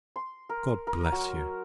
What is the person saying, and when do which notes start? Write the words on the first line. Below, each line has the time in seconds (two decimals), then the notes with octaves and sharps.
God bless you!
0.16 C6
0.49 A#4
0.87 A#4
1.12 F#3